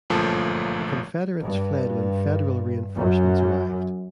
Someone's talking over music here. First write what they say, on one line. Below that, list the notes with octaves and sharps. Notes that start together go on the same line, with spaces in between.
The Confederates fled when Federal reinforcements arrived.
G1 F#2 A#2 F3 A3 A5
G2
F#2